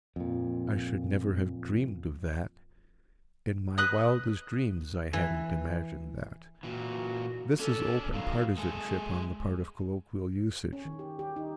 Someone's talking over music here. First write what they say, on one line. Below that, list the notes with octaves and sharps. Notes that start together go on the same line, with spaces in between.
"I should never have dreamed of that," "in my wildest dreams I hadn't imagined that." This is open partisanship on the part of colloquial usage.
F2 A#2
B4 D#5 D#6 F#6
E3
A#2 E3 F#4
C#4 D4 A4
B2 D#3 F#3 F5
G#3 A4 G#5
C#4
D#3
G4
G4
D#4